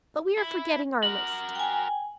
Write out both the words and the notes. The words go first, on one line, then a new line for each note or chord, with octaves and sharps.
But we are forgetting our list.
E4
F#4 A#4 F#7
G5 G#5